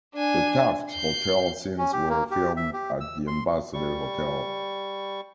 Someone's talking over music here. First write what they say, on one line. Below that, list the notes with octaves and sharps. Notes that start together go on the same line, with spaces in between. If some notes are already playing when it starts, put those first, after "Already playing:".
The Taft Hotel scenes were filmed at the Ambassador Hotel.
D4 G#5
G6 C7
C#4
G4
A#3
G4
E5
G4
E6
C6
G3 C#6